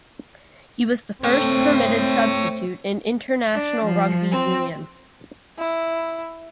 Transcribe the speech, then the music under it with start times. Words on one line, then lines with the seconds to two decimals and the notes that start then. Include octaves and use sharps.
He was the first permitted substitute in international rugby union.
1.24 A3 C4 C#5 G5
3.53 D4
3.84 F3
4.30 C4
5.58 E4